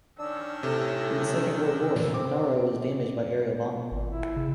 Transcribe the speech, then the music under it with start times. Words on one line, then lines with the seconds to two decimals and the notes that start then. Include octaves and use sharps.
In the Second World War, Naro was damaged by aerial bombing.
0.19 D#3 C#4 D4 E6
0.63 A2 C3 A4
2.14 C4 D6
3.92 G#1 A#2
4.11 E4
4.37 C#3